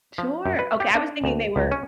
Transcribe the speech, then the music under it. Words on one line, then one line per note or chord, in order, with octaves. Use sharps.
Sure, okay, I was thinking they were
F3
F#2
B4
G4
D4
D2
C#2
C#4